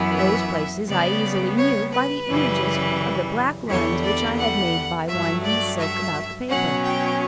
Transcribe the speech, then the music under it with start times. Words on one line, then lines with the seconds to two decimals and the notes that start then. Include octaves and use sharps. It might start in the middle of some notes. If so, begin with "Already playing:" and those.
Those Places I easily knew by the Images of the black Lines which I had made by winding the Silk about the Paper.
Already playing: F#2 E3 B3
0.17 E5
0.87 C#3 G3 B3 D5
1.57 C#5
1.92 B4
2.27 F#2 C#3 E3 G3
3.67 E2 D3 G3 C#5
4.02 D5
4.37 F#5
5.08 G2 F#3 A3 E5
5.43 D5
5.78 E5
6.49 B2 F#3 C#4 F#5
6.83 G5